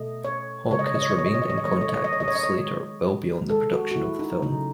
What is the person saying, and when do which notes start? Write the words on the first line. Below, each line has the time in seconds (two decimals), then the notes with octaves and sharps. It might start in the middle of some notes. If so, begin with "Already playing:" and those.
Hawk has remained in contact with Slater well beyond the production of the film.
Already playing: B2 A3 D#5
0.25 C#5
0.71 C#3 G#3 C#5
0.79 D#5
0.87 C#5
0.95 D#5
1.02 C#5
1.10 D#5
1.18 C#5
1.26 D#5
1.34 C#5
1.42 D#5
1.50 C#5
1.58 D#5
1.64 D#3 F#3 A3 C#5
1.73 D#5
1.81 C#5
1.89 D#5
1.96 C#5
2.04 D#5
2.13 C#5
2.20 D#5
2.28 C#5
2.36 D#5
2.43 C#5
2.57 D#3 G#3
3.50 D#3 G#3 A4
3.73 F#4
3.92 F#4
3.96 E4
4.19 D#4
4.42 C#3 F#3 A3 D#4